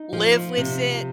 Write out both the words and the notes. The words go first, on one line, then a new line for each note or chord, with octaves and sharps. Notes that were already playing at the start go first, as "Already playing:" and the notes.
live with it,
Already playing: D#4
F3
C3